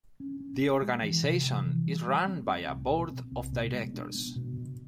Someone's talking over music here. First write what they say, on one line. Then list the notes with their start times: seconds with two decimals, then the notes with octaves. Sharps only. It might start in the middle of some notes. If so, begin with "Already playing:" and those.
The organization is run by a Board of Directors.
0.20 C#4
0.40 C#4
0.62 C#4
0.82 G#3
1.03 E3
1.23 C3
1.44 E3
1.65 E3
1.86 G3
2.07 G3
2.27 C4
2.48 C4
2.69 C2
2.90 B2
3.11 C4
3.32 C2
3.53 B2
3.73 G#3
3.94 D4
4.15 B3
4.36 B2
4.57 B2